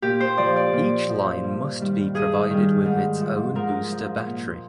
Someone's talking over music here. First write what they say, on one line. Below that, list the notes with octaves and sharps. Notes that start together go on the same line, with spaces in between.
Each line must be provided with its own booster battery.
A#2 G4
C5
F3 D5
D5
A#2
F3
G2
D#3 G3
G2 G#4
D#3 G3
G#2
F3
G#2 A#4
F3
A#2